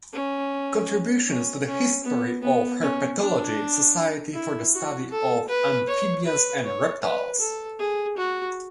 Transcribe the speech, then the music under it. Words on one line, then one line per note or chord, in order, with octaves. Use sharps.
Contributions to the History of Herpetology, Society for the Study of Amphibians and Reptiles.
C#4
C#4
C#4
B3
B3
C#4
D4
E4
F#4
A4
B4
C#5
B4
C#5
B4
A4
G#4
F#4